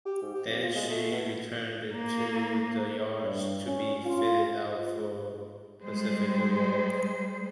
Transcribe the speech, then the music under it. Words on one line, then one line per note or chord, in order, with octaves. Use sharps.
Then, she returned to the yards to be fitted out for Pacific duty.
G4
G#2
G4
F2
F4
G#3
A3
B2
A#3
G2
C#4
F4
G3 G#3 C5